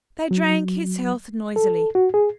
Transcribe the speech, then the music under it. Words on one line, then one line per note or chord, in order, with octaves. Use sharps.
They drank his health noisily.
F#3
A4
F#4
G#4